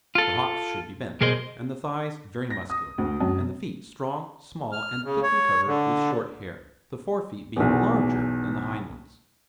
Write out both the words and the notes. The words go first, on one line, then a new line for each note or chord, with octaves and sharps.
The hocks should be bent, and the thighs very muscular, and the feet strong, small and thickly covered with short hair, the fore feet being larger than the hind ones.
F4 A4
B1 B2 G#4 A#4 C5 D#5
A#6
D#6
D2
F#2
F6
C#3
C#5
D3
B1 E2